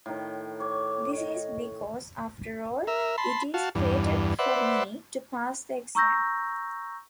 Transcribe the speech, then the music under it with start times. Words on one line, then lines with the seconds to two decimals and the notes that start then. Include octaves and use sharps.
This is because, after all, it is fated for me to pass the exam.
0.06 A2 D#3
0.60 C#5 D6
1.17 D#5
2.87 A#4 E5
3.18 A5 B5 C6
3.54 F#4 F5 A5
3.75 E2 G2
4.39 B4 C5 D5 E5 F#5
5.95 A#5 C#6 E6 G6 A#6